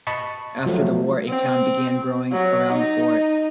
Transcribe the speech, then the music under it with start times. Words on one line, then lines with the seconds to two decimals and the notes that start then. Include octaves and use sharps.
After the war, a town began growing around the fort.
0.07 D#5 A5 B5 C#6
0.66 F3 F#3 A3
1.29 C4
2.32 F#3
2.73 D#4